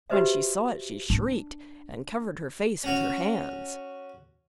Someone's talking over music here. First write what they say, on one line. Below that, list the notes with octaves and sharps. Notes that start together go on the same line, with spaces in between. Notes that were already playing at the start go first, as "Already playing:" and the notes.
When she saw it she shrieked, and covered her face with her hands.
F#4 G4 B4 C5 D#5 E5
D4
C#4 F#4 C#5